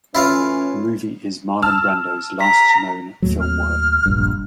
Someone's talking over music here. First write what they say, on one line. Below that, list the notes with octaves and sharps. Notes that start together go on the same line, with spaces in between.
The movie is Marlon Brando's last known film work.
A2 E3 C#4 E4 F4 F5
A5 E6 F6
A#5 B6
D#2 A2 F#3
F6
F1 A#1 G2